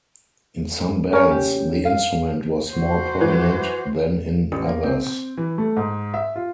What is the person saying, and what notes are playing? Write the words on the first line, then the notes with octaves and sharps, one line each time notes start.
In some bands, the instrument was more prominent, than in others.
C#4 A#4 C#5
G4
F5
F#4 C5
E3
A1
A#3
C4
E3
A3
G#2
E5
F4